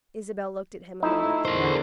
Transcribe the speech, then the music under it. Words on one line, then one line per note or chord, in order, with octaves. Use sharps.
Isabel looked at him a moment.
F3 A3 D#4 E4
E2 D3 A#4 C5